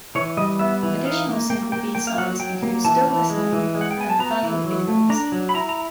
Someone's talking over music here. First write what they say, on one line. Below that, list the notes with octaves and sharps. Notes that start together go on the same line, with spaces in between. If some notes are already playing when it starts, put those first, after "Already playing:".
Additional single b-sides include "Still Listening" and "The Value of Ignorance".
E3 C#5
G3 D#5
B3 E5
E3
D#4 F5
A#3
A#3 G5
A#3 G5
A#3 G5
F5
F#3 F#5
F#3 G5
A#3
E3 A5
E3
G#3
E3
G#3
F#5
G5
B3 G#5
A5
B3 A#5
E3
F#3
A3
D4 A#5
F#3
B5
E4 A#5
A#5